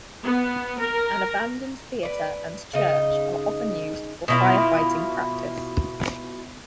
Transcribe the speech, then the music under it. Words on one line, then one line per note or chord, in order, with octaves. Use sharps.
An abandoned theater and church are often used for firefighting practice.
B3
A#4
B4 D5
C#3 D#4 D#5
B2 E4 F4